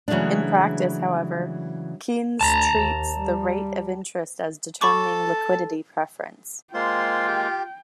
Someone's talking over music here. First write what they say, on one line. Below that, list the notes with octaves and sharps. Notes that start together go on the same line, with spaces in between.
In practice, however, Keynes treats the rate of interest as "determining" liquidity preference.
C#3 E3 F#3 G#3 A3 D4
D2 A5 A#5
D#2
G3
A4 A5 B5 C#6 D6
G#3 A#3 F4 C5 G5 C6
G4